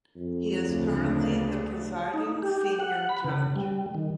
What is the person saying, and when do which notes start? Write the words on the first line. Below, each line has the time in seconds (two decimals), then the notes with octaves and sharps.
He is currently the presiding senior judge.
0.16 F2
0.63 D2 C#3 D4
2.14 D#4
2.42 G4
2.80 F#5
3.09 B5
3.24 C#3
3.56 G3
3.95 D#3